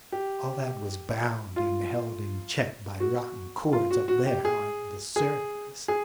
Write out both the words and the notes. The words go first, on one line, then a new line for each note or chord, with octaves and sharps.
All that was bound and held in check by rotten cords up there on the surface.
G4
F4
F#4
F4
F#4
F#4
G4
G#4
G#4
G#4